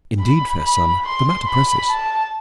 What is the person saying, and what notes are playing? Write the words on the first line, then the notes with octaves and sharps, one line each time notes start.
"Indeed, fair son, the matter presses."
B5
B5
C6
B5
A5